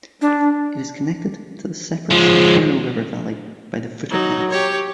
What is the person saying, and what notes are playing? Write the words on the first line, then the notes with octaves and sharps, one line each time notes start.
It is connected to the separate Santerno river valley by the Futa Pass.
D4
F3 G#3
F#3 D#4
G4 C#5